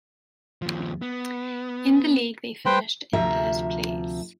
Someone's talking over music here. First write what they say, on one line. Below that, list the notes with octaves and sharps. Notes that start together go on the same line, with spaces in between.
In the league, they finished in third place.
D#2 F3
B3
G3 B4 C5 G5
D2 C3 F3 E5 A#5